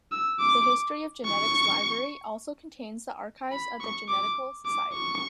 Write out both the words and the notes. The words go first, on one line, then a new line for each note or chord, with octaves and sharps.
The History of Genetics library also contains the archives of the Genetical Society.
E6
D6
C#6
B5
C#6
D6
D6
C#6